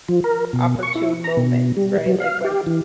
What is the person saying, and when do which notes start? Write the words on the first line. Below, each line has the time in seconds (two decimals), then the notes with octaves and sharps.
inopportune moments, right? Like, when I'm
0.09 F3
0.24 A#4
0.53 B2
0.83 C#6
0.95 E4
1.24 A#5
1.37 B2
1.77 G3
2.06 F#3
2.20 F5
2.44 G4
2.67 E3